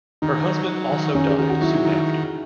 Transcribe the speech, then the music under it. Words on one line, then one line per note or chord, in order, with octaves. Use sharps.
Her husband also died soon after.
D#3 D#4
F#3
F#3
D#3
D#3 C#4
G#4
D#3 F#4
F#4
F#3 E4
D#4
D#3